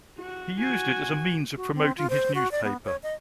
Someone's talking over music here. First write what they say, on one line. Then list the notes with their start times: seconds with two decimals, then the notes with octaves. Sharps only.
He used it as a means of promoting his newspaper.
0.18 F#4
0.59 F#4 G#5
1.56 F#4
1.75 C4
1.97 F4
2.10 C5
2.35 F#4
2.52 D5
2.64 B3
2.85 C#5
3.03 D#5